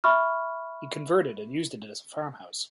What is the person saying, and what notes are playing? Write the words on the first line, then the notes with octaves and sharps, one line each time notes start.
He converted and used it as a farmhouse.
E5 B5 C#6 F6